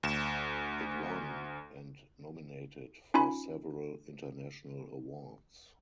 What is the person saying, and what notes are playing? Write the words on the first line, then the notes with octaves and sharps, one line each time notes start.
It won and nominated for several international awards.
D2 E7
C#4 D#4 F4 G#5 B5